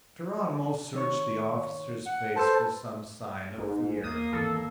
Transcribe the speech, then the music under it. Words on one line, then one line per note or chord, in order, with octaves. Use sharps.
Geronimo searched the officer's face for some sign of fear.
D#3 C#5 C#6
F#5
A4 B4 C5 A5 E6
G#1 G#2
E2 A#3 D#6
G#1 E2 E3 A4